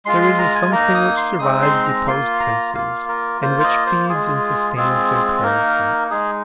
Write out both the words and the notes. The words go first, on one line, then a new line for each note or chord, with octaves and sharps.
There is a something which survives deposed princes, and which feeds and sustains their parasites.
G#3 F4 C6
C6
A#5
G#5
A#3 D#4 A#5
D#6
C6
G#3 C4 D#4 D#6
C6
A#5
A#3 F4 C6
A#5
A#3 F4 F5
A#4
A#3 F4 C5
C5
D#5
C5
G#3 F4 G#4
G#3 C4 F4 G#4
A#3 D#4 A#4
G#3 D#4 G#4